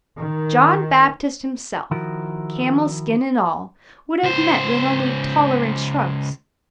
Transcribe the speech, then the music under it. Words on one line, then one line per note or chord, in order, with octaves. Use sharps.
John Baptist himself, camel-skin and all, would, have met with only tolerant shrugs.
D#3
D#3 F3 E4 F#4 A#4
C#2 C5